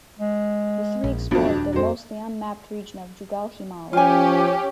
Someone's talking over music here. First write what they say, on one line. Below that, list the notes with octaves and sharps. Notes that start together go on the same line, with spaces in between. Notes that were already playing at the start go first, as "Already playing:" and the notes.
The three explored the mostly unmapped region of Jugal Himal.
G#3
A#1
G#1 F2 F3 F#3 B3 D4
D#1 D4
F2 F#3 C5
F3 C#4 F4 G4 G#5